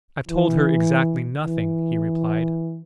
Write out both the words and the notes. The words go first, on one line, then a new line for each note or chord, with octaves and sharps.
"I've told her exactly nothing," he replied.
E3
E3